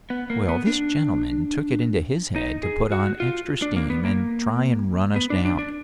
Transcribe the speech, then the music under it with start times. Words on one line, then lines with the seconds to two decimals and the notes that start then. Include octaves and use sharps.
Well, this gentleman took it into his head to put on extra steam and try and run us down.
0.10 B3
0.30 A#3
0.49 B3
0.67 D4
2.36 D#4
2.63 G#4
2.92 F#4
3.20 F4
3.62 D4
3.76 A#3
3.90 B3
4.05 A#3
5.16 B3
5.30 D4
5.45 D4
5.59 D4